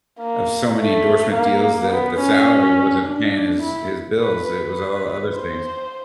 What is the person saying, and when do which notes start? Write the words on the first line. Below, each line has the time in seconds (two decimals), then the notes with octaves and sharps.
of so many endorsement deals that the salary wasn't paying his his bills. It was all the other things.
0.20 A#3
0.78 A3
1.34 A#3
1.92 B3
2.20 C#4
3.06 D4
3.63 E4
4.20 B4
4.49 B4
5.35 C5